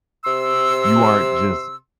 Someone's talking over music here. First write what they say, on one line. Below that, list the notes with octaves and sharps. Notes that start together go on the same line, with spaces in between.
you aren't just,
C3 C6 E6